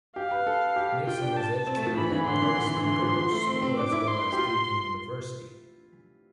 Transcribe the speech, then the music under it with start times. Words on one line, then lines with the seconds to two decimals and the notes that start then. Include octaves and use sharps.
Nixon was educated at Lauriston Girls' School as well as Deakin University.
0.16 G4 F5
0.31 B4
0.47 A4
0.76 G4
1.07 F4 G5
1.22 D4
1.36 A5
1.67 C4
1.77 A3
1.87 F3
1.97 E3 B5
2.12 E3
2.27 D3 C6
2.42 E3
2.57 D3
2.67 E3
2.77 D3
2.87 E3 C6
3.02 F3
3.17 F3
3.31 A3
3.47 C4
3.62 C4
3.77 D4 D6
3.92 E4
4.07 C6
4.32 G4
4.37 F4